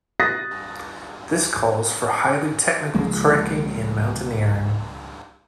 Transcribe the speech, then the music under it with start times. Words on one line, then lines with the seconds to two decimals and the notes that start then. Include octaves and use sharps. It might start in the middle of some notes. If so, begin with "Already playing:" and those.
This calls for highly technical trekking and mountaineering.
0.20 D#6 F#6 A6 A#6
2.94 C#2 F3 G#3 A#3